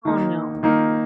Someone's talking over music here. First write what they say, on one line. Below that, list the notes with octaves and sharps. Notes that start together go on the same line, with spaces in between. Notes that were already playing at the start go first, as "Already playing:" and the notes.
Oh, no.
D#3 A#3 D#4
D#3 A#3 D#4